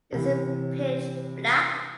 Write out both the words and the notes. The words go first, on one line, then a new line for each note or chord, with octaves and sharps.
Is it pitch black?
C3 E3